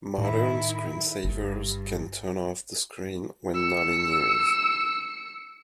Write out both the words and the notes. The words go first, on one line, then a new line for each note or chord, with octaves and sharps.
Modern screensavers can turn off the screen when not in use.
A2 D#3 E4
G1 G2
E6 C#7